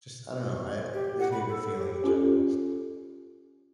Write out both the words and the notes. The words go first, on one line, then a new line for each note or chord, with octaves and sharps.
just, I don't know I gives me a good feeling in general,
G4
F#5
B5
A4
A4
G4
C#4 F4 G4 A4